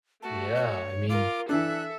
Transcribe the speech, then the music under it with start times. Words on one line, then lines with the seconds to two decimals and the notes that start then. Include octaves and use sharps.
Yeah, I mean
0.22 A3 F#4 A5
0.55 C#5
1.09 F4 A#4 D6
1.49 E3 D4 A4 E5 F#6